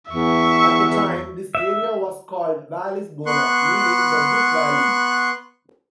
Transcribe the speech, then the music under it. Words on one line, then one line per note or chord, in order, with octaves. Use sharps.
At the time, this area was called "Vallis Bona", meaning "the good valley".
E2 E5 C#6
E5
B3 C6 C#6 F#6